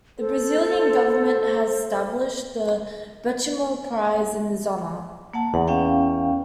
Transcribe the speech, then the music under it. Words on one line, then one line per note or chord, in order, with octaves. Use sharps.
The Brazilian government has established the Benchimol prize in his honor.
A4 C5
A#3 F#5 A5
E2 F#5
C#4 F5 G5